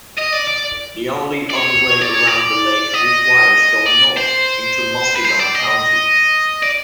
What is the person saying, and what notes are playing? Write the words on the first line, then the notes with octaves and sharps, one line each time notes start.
The only other way around the lake requires going north into Muskegon County.
D#5
D5
D5
D5
C#5
D5
C#5
D5
D#5
D5
C5
B4
C5
D5
D#5
D5